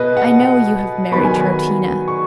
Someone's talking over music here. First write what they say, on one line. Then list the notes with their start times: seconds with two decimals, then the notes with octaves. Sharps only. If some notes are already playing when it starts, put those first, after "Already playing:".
I know you have married Troutina.
Already playing: B2 B3 B4 D#5
0.17 F#5
1.12 D#3 F#3 B3 B5
1.24 G#5
1.36 B5
2.08 C#6